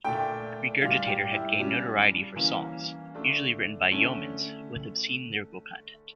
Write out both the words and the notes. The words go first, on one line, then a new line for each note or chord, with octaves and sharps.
Regurgitator had gained notoriety for songs, usually written by Yeomans, with obscene lyrical content.
A#2 A3 D4 G5
A#2 G3 D4 F5
G4
E4
C#3 G3 C#4 D4
E3 A#3 C#4
D3 A3 D4
D3 A3 C#4